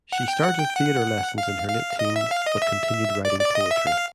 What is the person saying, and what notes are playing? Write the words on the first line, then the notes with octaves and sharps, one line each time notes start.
She started theatre lessons in her late teens, but continued writing poetry.
F#5
G5
F#5
G5
F#5
F5
F5
D#5
E5
F5
D#5
E5
D5
D5
D#5
E5
F5